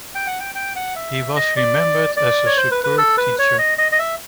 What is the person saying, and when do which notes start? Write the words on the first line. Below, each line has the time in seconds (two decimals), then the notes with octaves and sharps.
He was remembered as a superb teacher.
0.15 G5
0.27 F#5
0.40 G5
0.55 G5
0.76 F#5
0.96 E5
1.36 D#5
1.56 D5
2.17 D5
2.46 C#5
2.57 C5
2.71 B4
2.84 B4
2.98 A4
3.17 B4
3.39 C#5
3.58 D#5
3.78 D#5
3.92 D#5
3.99 E5